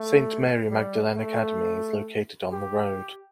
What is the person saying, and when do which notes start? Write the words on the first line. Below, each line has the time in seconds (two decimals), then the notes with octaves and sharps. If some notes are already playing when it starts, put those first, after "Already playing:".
Saint Mary Magdalene Academy is located on the road.
Already playing: A3
0.71 G3
1.16 A3
2.52 G4